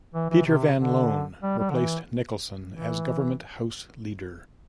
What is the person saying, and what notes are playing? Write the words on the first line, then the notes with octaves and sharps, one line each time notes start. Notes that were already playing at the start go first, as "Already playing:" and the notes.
Peter Van Loan replaced Nicholson as Government House Leader.
E3
E3
C3
D3
G3
G3
D3
E3
E3